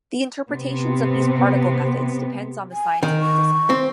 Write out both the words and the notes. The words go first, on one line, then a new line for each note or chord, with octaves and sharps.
The interpretations of these particle methods depends on the scientific discipline.
C3 B3 C4
G#5
D#3 A#4
C#6
C4